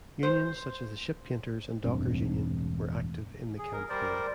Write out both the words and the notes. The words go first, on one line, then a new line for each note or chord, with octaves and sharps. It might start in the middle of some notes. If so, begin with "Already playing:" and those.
Unions such as the Ship Painters and Dockers Union were active in the campaign.
C5
E1 A1 G2 C4
G#4
A#4
G3 A#4 C5 D5